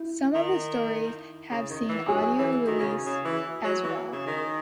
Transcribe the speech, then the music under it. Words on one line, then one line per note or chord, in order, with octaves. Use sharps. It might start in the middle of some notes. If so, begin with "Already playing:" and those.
Some of the stories have seen audio release as well.
Already playing: E4
D#3
C#3
D#3
E3
F#3 G#4
E3
D#3 F#4
C#3
C#3
E3
F#3
E3
C#3
D#3